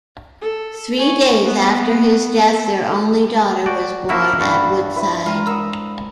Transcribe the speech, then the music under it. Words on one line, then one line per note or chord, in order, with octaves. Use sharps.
Three days after his death, their only daughter was born at Woodside.
A4
C#5 G#5
A3 B3
A4
F#4 D5 G5
A#3 C#4 E4 F#4 E5
G2 F#4 B5 A6
E4 B4 C5
G#3 F4 G5 A#5
A#4 F#5 D#6 E6